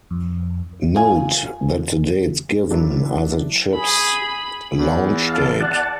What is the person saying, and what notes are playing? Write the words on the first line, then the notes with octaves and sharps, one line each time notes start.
Note that the dates given are the ships' launch date.
F2
F4 G#5
F#3 D4 E4
G#4 B5
E2
F5 A5
D5 F#5 A5